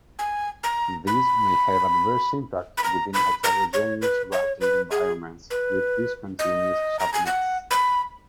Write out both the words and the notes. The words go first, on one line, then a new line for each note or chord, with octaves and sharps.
This may have adverse impact within heterogeneous routing environments with discontiguous subnets.
G#5
A#5
B5
B5
A#5
B5
A#5
C#5
B4
C#5
B4
G#4
B4
D#5
A#5
G#5
F#5
B5